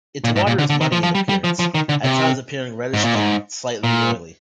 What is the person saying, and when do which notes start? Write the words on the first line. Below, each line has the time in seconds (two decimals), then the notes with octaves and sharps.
Its water is muddy in appearance, at times appearing reddish and 'slightly oily'.
0.24 A#2
0.36 G#2
0.47 A#2
0.58 D3
0.70 D3
0.81 D#3
0.92 F3
1.03 F3
1.15 G3
1.29 G3
1.44 F3
1.59 F3
1.74 D#3
1.89 D3
2.04 C3
2.94 G#2
3.04 A#2
3.15 G#2
3.84 A#2